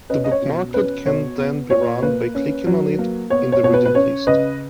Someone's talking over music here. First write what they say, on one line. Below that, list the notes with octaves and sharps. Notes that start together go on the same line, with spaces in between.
The bookmarklet can then be run by clicking on it in the reading list.
C#4 B4 D#5
D#5
C#5
B2
C#4 B4
B2 C#5
B3
A#2 C#5
A#3 B4
C#4
F#3
A#3
B3 C#5
C#5
B2 C#5
B4
B4
C#4 C#5
C#3 B4 D#5